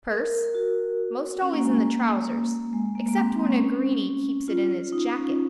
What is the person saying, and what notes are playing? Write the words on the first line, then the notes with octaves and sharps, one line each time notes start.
Purse--most always in the trousers, except when a greeny keeps it in his jacket.
A#4
A#4
A#4
A#4
F#4
C#4
A#3
G#3
A#3
G#3
A#3
A#3
C4
A#3
C4
C#4
F4
D#4
C#4